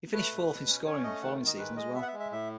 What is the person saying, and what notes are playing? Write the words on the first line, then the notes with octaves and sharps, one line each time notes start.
He finished fourth in scoring the following season as well.
A3 B4
B2
B2
C#4
C#4 C#5
A3 D#5
D#3 F#5
D#3
D#5
G#3 B4
G#3 D#5
B3 E5
F#5
E5
G#3
E5
A2 E5